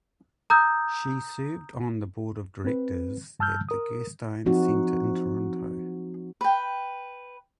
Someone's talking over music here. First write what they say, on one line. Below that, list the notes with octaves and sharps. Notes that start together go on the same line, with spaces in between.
She served on the board of directors at the Gerstein Centre in Toronto.
A#5 D#6 E6 G6 G#6
C4 B4
G2 A5 E6 F6 G6
A#4 D#6
F3 C4 D#4 F#4
B4 G5